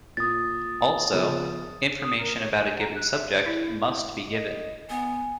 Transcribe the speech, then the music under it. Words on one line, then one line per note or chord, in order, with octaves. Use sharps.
Also, information about a given subject must be given.
A#2 D#6 A6
C#3 F3 B3
D#6
A#4
C#5
G#5
A#5
F#6
E5
E4
D#5
B3 G#5